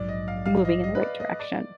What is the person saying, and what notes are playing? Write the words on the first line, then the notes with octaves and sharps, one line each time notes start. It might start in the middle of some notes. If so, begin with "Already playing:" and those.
moving in the right direction.
Already playing: A#1 G#2 F#3 D5
D#5
F5
F5
D#5
D#5
B4
D5
D#5
D5